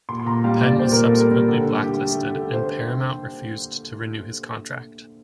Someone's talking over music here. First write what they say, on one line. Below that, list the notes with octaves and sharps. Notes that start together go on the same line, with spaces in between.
Penn was subsequently blacklisted, and Paramount refused to renew his contract.
A#2 C6
C6
A#2 A#5
G3 F5
G3 D5
A#2 C5
A#2 A#4
A4
G3
A#4
G3
D3 A4
D3
A3 G4
A3
D3 A4
D3 A4
A3 C5